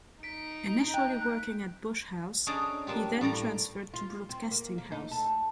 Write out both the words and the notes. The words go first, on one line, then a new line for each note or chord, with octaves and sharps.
Initially working at Bush House, he then transferred to Broadcasting House.
D#4 B6 D7
G5 F#6 G6
C#4 D4 G#4 D5 D#5 A#5
A#3 D4 F4 G4
A2 G3 D5 A#5
F4
C4
A#3
A#3
D#4
A4